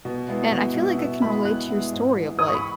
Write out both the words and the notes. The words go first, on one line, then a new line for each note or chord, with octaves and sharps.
and I feel like I can relate to your story of, like,
B2
G#3 B3 E4
B2
G#3 B3 E4
B2 E5
G#3 B3 E4 B5
B2 F#6
G#3 B3 E4
G#2
E3 G#3
G#2 D#6
C#6
B5